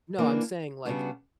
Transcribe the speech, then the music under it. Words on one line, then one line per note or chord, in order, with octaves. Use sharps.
No, I'm saying, like,
E3 A#3 D4
C#3 G3 B3 D4 F#4